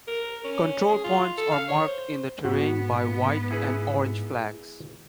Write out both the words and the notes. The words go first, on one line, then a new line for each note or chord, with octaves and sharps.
Control points are marked in the terrain by white and orange "flags".
A#4
C#4
G#4
F4
A4
F5
C#5
C5
G#2 B3 F#4
E4 G#4 B4